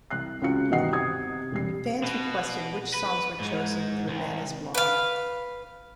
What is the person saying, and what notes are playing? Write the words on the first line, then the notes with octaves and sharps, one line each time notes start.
Fans requested which songs were chosen through Mana's blog.
C2 F#6 C7
C#2 C#3 F4 F#4 C#7
G2 B2 D#3 D#5 F#5 C7
C3 D#6 G#6
E1 G3 C7
B2
B4
G#2
C2
B4 F5